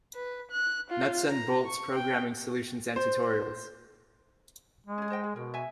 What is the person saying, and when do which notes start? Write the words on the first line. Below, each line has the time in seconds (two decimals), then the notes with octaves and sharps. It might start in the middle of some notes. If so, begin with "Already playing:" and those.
Nuts-and-bolts programming solutions and tutorials.
0.15 B4
0.51 F#6
0.90 F4
1.29 A#5
1.66 C#6
1.95 G5
2.96 C5
4.87 G#3
4.98 C#4 G#4
5.10 C5 D#5 G5
5.24 G#4
5.36 B2 A#4
5.54 E5 G#5